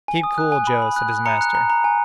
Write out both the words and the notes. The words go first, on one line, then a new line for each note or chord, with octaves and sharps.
"Keep cool, Joe," said his master.
G#5
D#6
F#6
G#5
B5
B5
F#6
F#6
A#5 C#7
F#6
A#5
A#5
G#5